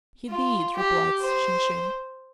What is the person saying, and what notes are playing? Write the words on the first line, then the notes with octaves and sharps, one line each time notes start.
"He did," replied Shinshin.
F4
G4
C5